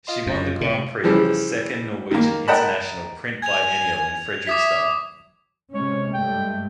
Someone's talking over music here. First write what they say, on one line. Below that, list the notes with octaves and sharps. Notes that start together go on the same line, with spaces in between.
She won the Grand Prix at the second Norwegian International Print Biennale in Fredrikstad.
F4 D#5 C6
F#2
C3
C#3 E3 F3 G3
D#3 A#3
A#4 D#5 F#5 G5 A5 B5
G#5 G#6 F7
E5 D6 D#6 B6
C3 G#3 C#4 C#5
G2 A3 G5